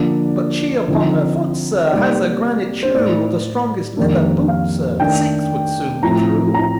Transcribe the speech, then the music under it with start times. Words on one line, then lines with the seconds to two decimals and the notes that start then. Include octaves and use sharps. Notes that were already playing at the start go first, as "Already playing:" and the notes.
'But she upon her foot, sir, Has a granite shoe: The strongest leather boot, sir, Six would soon be through.'
Already playing: D3 F3 A#3 D4 D5
0.88 D3 F3 C4 D#4
1.91 C3 G3 A#3 D#4 D5
2.83 C5
2.94 A2 A3 D#4 D5
3.97 F2 D#3 G3 A#3 D4
4.48 F5
5.00 D#3 A3 D4 G5
6.03 A2 F3 A3 C4 A#5
6.54 A#5